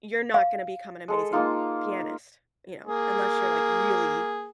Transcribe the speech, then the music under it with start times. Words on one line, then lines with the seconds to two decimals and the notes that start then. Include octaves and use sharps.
you're not gonna become an amazing pianist, you know, unless you're, like, really
0.34 F5
1.08 G#3 A4
1.33 A#3 D#4 F4
2.87 A#3 G#4